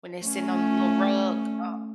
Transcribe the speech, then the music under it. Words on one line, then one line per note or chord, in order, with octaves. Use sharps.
when they sitting on the little rug, um
A3 C#4